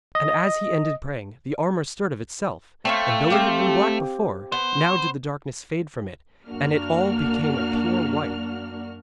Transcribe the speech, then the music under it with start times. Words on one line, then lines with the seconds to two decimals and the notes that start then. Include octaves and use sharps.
And as he ended praying, the armour stirred of itself, and though it had been black before, now did the darkness fade from it, and it all became a pure white.
0.15 D#5
2.85 A3 C4 C#5 F5
3.30 C4 G4 F5
4.52 B3 C5
6.49 F#2 A#3 D4 F#4 F6